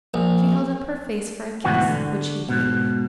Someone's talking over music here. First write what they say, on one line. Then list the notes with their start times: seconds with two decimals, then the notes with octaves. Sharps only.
She held up her face for a kiss, which he gave.
0.14 A#1
1.64 D2 G#2 B2 E3 F#4
1.89 D3
2.49 G#2 B2